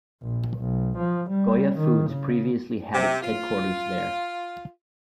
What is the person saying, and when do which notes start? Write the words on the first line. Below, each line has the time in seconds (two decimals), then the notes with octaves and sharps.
Goya Foods previously had its headquarters there.
0.23 A#1
0.59 B1
0.98 F3
1.30 G3
1.78 D#3
2.10 C#3
2.92 C3
3.22 F4